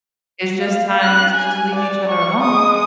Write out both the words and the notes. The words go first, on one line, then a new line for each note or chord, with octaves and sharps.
it's just time to just leave each other alone.
F5
F#6
G#5
D5
C#6
G#3 D#6